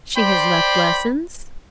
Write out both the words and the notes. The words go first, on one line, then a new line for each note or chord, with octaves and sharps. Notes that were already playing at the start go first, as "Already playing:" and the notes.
She has left lessons.
C5 D5 G5 B5 C6